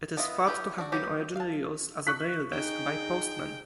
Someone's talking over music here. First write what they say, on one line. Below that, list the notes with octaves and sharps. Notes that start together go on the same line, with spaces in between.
It is thought to have been originally used as a mail desk by postmen.
B3 E4 F4 D#5 F5
E4 F4 G4 G#4 B4
D4 F#4
F#3 A#3 G4 B4
F5 A5
C#6 F#6 B6
D#4 G#4 G5